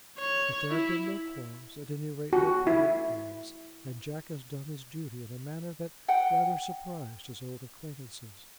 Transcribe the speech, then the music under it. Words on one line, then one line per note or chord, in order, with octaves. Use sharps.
But there have been no quarrels, at any rate, no public quarrels, and Jack has done his duty in a manner that rather surprised his old acquaintances.
C#5
E4
F#4
E4
F#5 G5